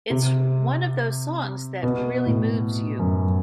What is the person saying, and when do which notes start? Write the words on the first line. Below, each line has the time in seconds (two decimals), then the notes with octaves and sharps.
It's one of those songs that really moves you.
0.10 C3
1.83 B2
2.26 A2
3.00 F#2